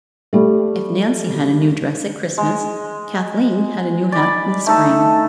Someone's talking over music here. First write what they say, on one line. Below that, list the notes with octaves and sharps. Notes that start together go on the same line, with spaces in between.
If Nancy had a new dress at Christmas, Kathleen had a new hat in the spring.
G3 A3
G#3
D5 B5
A3 D#4 A4